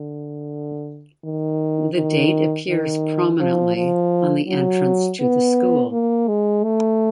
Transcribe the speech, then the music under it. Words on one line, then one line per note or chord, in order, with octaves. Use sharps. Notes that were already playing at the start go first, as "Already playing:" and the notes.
The date appears prominently on the entrance to the school.
Already playing: D3
D#3
D#3
D#3
F3
F3
F#3
B3
A#3
G#3
A3